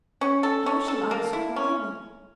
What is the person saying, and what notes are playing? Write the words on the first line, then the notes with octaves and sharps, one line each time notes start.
How shall I describe it?
C#4
A4
C#4
A4
A#3
E4
C#4